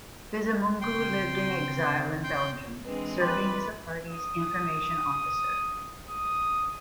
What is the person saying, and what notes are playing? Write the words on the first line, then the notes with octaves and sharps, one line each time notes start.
Bizimungu lived in exile in Belgium, serving as the party's information officer.
C#3 C4 G5 C6
G5 C6 G6
E3 G#3 C4 D4 B4
F4 B4 C5 G5 C6 D6 A6
D#6
D#6